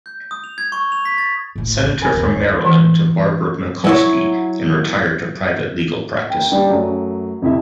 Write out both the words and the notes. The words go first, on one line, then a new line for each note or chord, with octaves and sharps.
Senator from Maryland to Barbara Mikulski and retired to private legal practice.
G6
D#6
F7
G#6
C#6
F7
B6
A6
A#1 A2
G#1 B2
G#3 A#4 G#5 B5
D#2
D#2 C#5
E3
F#3 E4 C#5
D#2 G5
G3 D4 D5 G5
F#2 F#3 A3
F2 C3 E4 E5